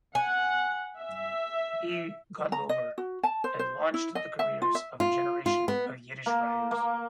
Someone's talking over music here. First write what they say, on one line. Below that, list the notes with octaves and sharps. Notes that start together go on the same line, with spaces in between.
B. Gotlober, and launched the careers of a generation of Yiddish writers.
F#5 G#5
E5
A#5
D#5
F#4
A5
C5
C5
E4
D#5
E5
F4
E5
F4
F4
B3
A#3
A#3